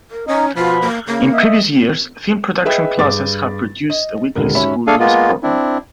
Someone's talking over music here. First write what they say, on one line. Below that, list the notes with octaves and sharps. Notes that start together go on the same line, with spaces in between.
In previous years, film production classes have produced a weekly school news program.
A#4
C#4 D#4
B2 F3 F4 B5
A#3
C#3 A#3
D#5 E5
G#4 B4 D#5 E5 G5
G2 G#4 D6 A6
D#5
D#1 C#2 D3 A#4
G#2 C#4 F#4 C#5 E5 B5
A3 D4 G#4 A4 F5 G#5
G#3 A#3 B3 F4
C4 D4 E4